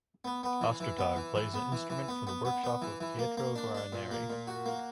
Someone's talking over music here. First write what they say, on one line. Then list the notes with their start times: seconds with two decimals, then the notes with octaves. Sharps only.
Ostertag plays an instrument from the workshop of Pietro Guarneri.
0.25 B3
0.43 B3
0.61 E3
0.80 E3
0.98 B3
1.16 E3
1.35 E3
1.54 B3
1.72 E3
1.90 E3
2.08 B3
2.27 B3
2.45 B3
2.64 B3
2.82 E3
3.01 E3
3.19 A#3
3.37 A#3
3.56 D4
3.74 D4
3.92 A#2
4.11 A#3
4.30 A#2
4.47 F#4
4.66 A#3